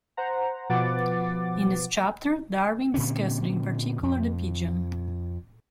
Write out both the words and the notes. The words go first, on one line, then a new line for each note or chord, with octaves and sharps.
In this chapter, Darwin discussed in particular the pigeon.
C5 F#5 A#5
B2 F3 B4 F#5 D6 A6
A#2 D3 C4 C#4
F2